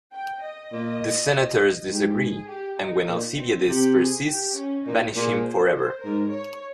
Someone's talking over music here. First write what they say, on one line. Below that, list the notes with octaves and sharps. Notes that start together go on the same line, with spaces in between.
The senators disagree, and, when Alcibiades persists, banish him forever.
G5
D#5
A#2
G#2 G4
G#4
G4
D#4
A#2
C4
C3 G4
G#4
G4
C#4
A#2 D#4
A#2 G#4
C5
C5
G#2 A#4
C#5